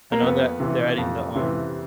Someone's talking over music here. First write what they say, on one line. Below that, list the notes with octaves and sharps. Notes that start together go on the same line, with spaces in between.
I know that they're adding the, um,
A#3
F2 B3
C3 E3
F2
C3 E3